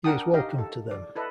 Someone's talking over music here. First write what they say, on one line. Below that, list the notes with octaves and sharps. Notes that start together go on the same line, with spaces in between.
He is welcome to them.
D4 A#4 F#5 G5 A5 D#6
D#4 G4 D#5 F5 G5
A4
D5
E4 A4 B4 D#5